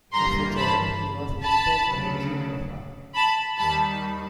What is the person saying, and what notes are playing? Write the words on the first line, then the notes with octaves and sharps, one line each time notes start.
As a child, he was inspired by Jean Behra.
G2 E3 G3 A#3 A#5 C6
A5 B5
A5 B5
D2 C#3 F#3
A5 B5
D#2 D#3 G3 A5 B5